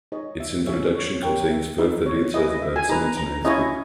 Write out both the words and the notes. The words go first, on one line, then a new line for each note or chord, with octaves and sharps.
Its introduction contains further details about Symington and his book.
D#4 G#4 C#5 D#5
E5
C#4 G#4 C#5 E5
C#5
G4 A#4 C#5 G5
E5
D#4 G#4 B4 E5
C#5
E4 G#4 B4 D#5
D#5
E5
G#5
D#4 G#4 B4 A#5
A#5
C#4 E4 G#4 C#5 D#5